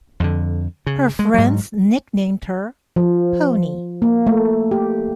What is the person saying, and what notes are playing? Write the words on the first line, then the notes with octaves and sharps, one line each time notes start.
Her friends nicknamed her "Pony".
F2 D3
C#3
G#3
G#2 F#3
F3
A#3
A3
G4